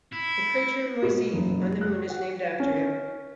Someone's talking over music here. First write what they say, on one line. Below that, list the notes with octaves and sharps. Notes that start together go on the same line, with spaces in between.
The crater Moiseev on the Moon is named after him.
E4
B2
F#1
F#6
F#5
C#4